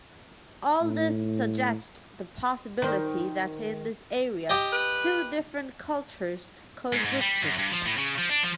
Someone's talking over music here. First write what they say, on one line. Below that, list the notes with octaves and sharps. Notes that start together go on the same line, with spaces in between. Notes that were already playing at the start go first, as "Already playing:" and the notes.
All this suggests the possibility that in this area two different cultures coexisted.
A2
D#3 C5
G4 D#5
B4
G#2
G#2
G3
F#2
G2
F3
A2
C#3
F3
D4
F3